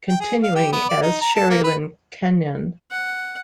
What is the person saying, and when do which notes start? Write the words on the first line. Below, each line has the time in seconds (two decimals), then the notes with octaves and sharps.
Continuing as Sherrilyn Kenyon.
0.09 G5
0.21 G#4
0.43 F5
0.55 G4
0.72 B3
0.89 D5
1.03 D#4
1.21 A#5
1.35 A4
1.50 A#3
1.64 B4
2.91 F#5